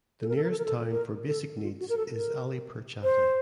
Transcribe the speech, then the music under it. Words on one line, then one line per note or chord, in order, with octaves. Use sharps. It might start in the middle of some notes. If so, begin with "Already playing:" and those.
The nearest town for basic needs is Ali Pur Chatta.
A4
A#4
A4
A#4
A4
A#4
A4
A#4
A4
F4
F#4
A#4
A4
A#4
C5